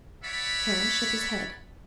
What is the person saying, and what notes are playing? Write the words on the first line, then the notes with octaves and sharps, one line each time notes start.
Kara shook his head.
C#5 D5 E5 F#5 B5